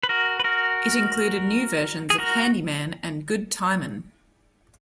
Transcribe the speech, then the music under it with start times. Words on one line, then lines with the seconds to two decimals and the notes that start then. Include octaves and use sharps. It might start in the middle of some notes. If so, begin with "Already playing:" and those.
It included new versions of "Handy Man" and "Good Timin'".
0.03 B4
0.09 F#4 A#4
0.40 B4
0.44 F#4 A#4
2.10 G#4
2.18 F#4 A#4